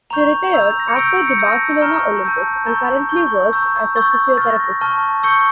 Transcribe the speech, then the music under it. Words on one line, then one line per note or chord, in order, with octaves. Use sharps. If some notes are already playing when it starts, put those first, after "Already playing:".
She retired after the Barcelona Olympics and currently works as a physiotherapist.
A#5 C#6 G6 F7
A#5 E6 G6 F7
A#6
C#7
C#6 E6 G6 D7
C#7
A5 E6 G6 A#6
A#5 C#6 F6
A5 E6 G6
A#5 C#6 E6 G6 A6
C#6 G6
A#5 C#6 E6 G6
C#6 E6 G6 A6
C#6 F6 A6
A#6
A6
A5 C#6 F6
C#6 E6 G6 C#7